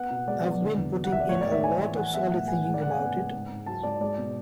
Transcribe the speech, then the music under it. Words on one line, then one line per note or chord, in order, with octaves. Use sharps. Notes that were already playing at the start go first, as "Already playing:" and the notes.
I've been putting in a lot of solid thinking about it.
Already playing: B3 F#5
B2
G#3 D5
B3
D3
E2
F#3
F#5
E2 E5
D5
A2 C#5
G#3 D5
E5
E3 G#5
E3 G#5
E3 F#5
B3 E5
A2 F#5
E3 G#5
G#3 F#5
D5
C#3 F#5
G#5
B3
G#3
G#2
G#2
F#3 A5
G#2 D5
G#3 D5
B2